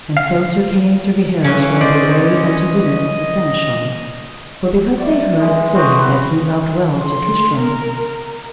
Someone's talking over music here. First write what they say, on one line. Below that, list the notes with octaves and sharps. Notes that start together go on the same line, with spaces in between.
And so Sir Kay and Sir Gaheris rode their way unto Dinas, the Seneschal, for because they heard say that he loved well Sir Tristram.
F5
C#3 E3 C#4
C5 D5 D#5
D5 E5
E3 G#3 D#5
B3 C4 F#4 B4
B4 F5
C6
A#4